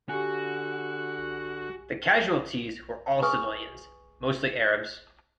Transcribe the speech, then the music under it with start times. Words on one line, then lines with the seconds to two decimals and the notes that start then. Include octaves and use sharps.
The casualties were all civilians, mostly Arabs.
0.09 D3 F#4 G4 G#5 F#6
3.23 G#4 B4 G#5 C#6 D#6